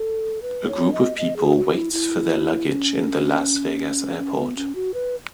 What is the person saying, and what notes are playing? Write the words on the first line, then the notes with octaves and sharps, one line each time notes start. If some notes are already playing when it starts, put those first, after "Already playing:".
A group of people waits for their luggage in the Las Vegas airport.
Already playing: A4
B4
C#5
D#5
D#5
G#4
F#4
E4
E4
C#4
C#4
B3
C#4
F#4
B4